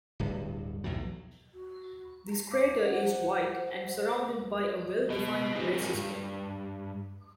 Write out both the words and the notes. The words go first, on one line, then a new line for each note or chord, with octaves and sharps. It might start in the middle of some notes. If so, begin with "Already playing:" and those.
This crater is white and surrounded by a well-defined ray system.
D1 G2
B1 E2 A2 F#3
F#4
F5 D6
C5 F#5
B3 D#5
D#4 G4 G#4 B4 C5
C4 G4 G#4 A#4 C#5
G2